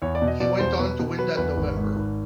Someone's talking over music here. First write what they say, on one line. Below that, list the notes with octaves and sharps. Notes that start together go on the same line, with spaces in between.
He went on to win that November.
E2 C#5
D5
B2
D#5
B2 D5
E2 C5
B2 B4
B2
F#3 B4
E2 B4
G#1
G#2
G#1